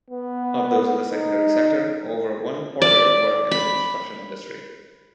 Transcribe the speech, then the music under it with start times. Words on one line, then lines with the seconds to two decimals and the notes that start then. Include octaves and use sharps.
Of those in the secondary sector, over one-quarter worked in the construction industry.
0.10 B3
1.07 D#4
2.82 D5
3.51 B5